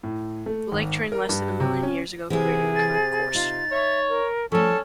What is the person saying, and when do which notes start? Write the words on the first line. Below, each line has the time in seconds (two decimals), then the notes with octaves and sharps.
The lake drained less than a million years ago, creating the current course.
0.03 A2
0.46 A3
0.72 G#1
1.12 A#4
1.29 G2
1.60 C3
1.83 C#4
2.30 C3 E3 B3 E4 G#4
2.75 A6
3.35 D#4 F4
3.71 C#5 E5
4.09 A#4
4.52 F3 G3 A3 C#4 A4 A5